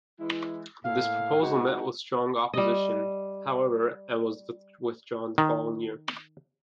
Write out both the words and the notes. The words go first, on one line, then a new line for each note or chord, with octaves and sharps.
This proposal met with strong opposition, however, and was withdrawn the following year.
E3 G#3 E4
A2 A#3 F5
G#3 C4 D#4 F#4
G3 D#5
D#3